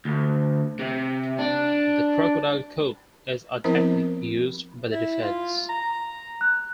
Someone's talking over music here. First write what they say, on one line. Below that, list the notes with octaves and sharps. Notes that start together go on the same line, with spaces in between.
The crocodile coup is a technique used by the defense.
D2
C3
D4
F3 B3 C4 E4 A#4 C5
E4
F4
A#5
F#6